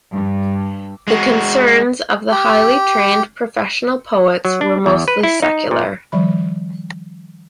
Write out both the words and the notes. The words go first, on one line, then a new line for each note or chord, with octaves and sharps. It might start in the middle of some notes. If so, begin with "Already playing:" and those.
The concerns of the highly trained professional poets were mostly secular.
G2
G#3 F#4
G4
F#3
D4
E2
B4
E4
D#4
A#2
D#3 F3 G3 B5